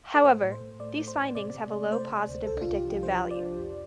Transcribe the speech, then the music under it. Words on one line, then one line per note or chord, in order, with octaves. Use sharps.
However, these findings have a low positive predictive value.
A4
A2 C5
A2
C5
A2
A3 D5
A3
C5
A2
C3 D5
C3
A3
A3 C5
C3
D2
C2 A4
D4
F4
C2
G4
F3 G4
C2 C5
C2
D5
F3
F2